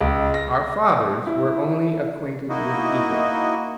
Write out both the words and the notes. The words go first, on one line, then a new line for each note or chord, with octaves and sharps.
Our fathers were only acquainted with egotism.
C#2
A#6
E4
A#3 D#4 E4 F#4 D#5